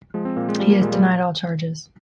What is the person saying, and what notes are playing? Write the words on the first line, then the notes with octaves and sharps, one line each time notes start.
He has denied all charges.
F3 G#3
C4
A#2 A#3
G#3
F3 G3
A#3
A#2 G#3
G3